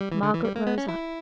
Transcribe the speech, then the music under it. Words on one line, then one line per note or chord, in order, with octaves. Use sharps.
Margaret rose up.
G3
E3
D3
E3
G3
A#3
B3
C#4
E4